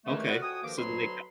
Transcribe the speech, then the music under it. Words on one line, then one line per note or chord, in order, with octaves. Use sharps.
Okay. So, do they ki
D#2 D#3 E3 G#3 A3
E4 F#4 G#4 A#4 B4 D5
F2 F#4 G5 G#5 D#6
D2 G2 D#3 F3 A#3 D6
D2 B2 F#3 B5 C6